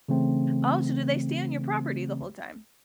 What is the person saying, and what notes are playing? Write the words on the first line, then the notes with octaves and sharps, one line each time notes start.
Oh, so do they stay on your property the whole time?
C#3 E3 A3 C4